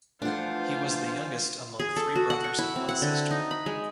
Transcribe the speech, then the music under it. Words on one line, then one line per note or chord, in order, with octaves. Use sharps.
He was the youngest among three brothers and one sister.
E3 F3 A3 D4 F4 C5 F#5
G#4
A4
F#4
F#5
C#6
E4
C4
F#5
D3
D#4
B5
G#3